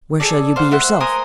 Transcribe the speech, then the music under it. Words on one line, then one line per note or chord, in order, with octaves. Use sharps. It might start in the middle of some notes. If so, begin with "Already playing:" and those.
"Where shall you be yourself?"
G#4 A4 D5
C5 F5 F#5
C5 E5 F#5
A#4 C5 G#5 D#6